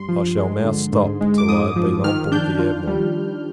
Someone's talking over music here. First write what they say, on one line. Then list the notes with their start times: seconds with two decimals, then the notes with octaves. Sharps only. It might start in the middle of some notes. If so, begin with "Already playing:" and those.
I shall now stop, till I have been on board the Admiral.
Already playing: G2 C6
0.09 F3
0.37 G#3
0.64 D3
0.92 G#2
1.21 G#3
1.38 D6
1.48 G#2 D#6
1.76 F3
2.04 D#3 F6
2.32 D4 G6
2.59 F4
2.87 G3